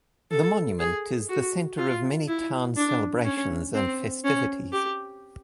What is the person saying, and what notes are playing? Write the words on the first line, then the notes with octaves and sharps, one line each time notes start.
The Monument is the center of many town celebrations and festivities.
A4
G#4
F#4
F4
E4
D4
C#4
C4
C#4
G4